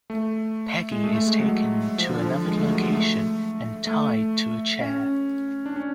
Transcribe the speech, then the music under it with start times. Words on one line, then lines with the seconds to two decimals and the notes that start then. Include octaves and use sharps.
Peggy is taken to another location and tied to a chair.
0.10 A3
0.92 G#3
1.04 A3
1.15 A3
1.27 G#3
1.39 F#3
1.98 F3
2.10 D3
2.22 F3
2.45 G#3
2.57 A3
2.69 F#3
2.80 G#3
2.92 A3
3.87 A3
4.81 C#4
5.66 D4
5.76 C#4